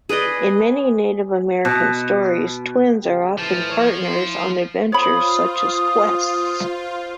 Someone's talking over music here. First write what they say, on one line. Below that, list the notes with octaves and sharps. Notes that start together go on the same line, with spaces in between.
In many Native American stories, twins are often partners on adventures such as quests.
G#4 B4 D5 D#5
B2
C#3 G4
A1 A2 E3 F3 A5
C#5
E4 C6
F4 C5 C#5 B5 D#6